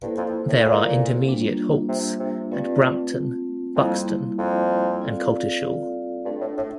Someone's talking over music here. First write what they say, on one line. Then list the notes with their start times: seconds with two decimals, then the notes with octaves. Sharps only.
There are intermediate halts at Brampton, Buxton and Coltishall.
0.02 G2 A#3 E4 A4 C5
0.17 F2
0.48 A2
0.65 A#2
1.27 G3 A#3 D4 F4
1.89 C3
2.20 C3
2.51 G2 A3 C4 F4
3.75 F2 G3 A#3 E4
4.38 F2
5.01 C4 F4 A4 D5 F5
6.25 G2 A3 D4 A4
6.41 A2
6.57 A2